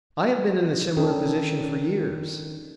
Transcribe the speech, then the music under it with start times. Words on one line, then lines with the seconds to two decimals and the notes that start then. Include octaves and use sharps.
I have been in a similar position for years.
0.97 D#3 C#4 D4 A4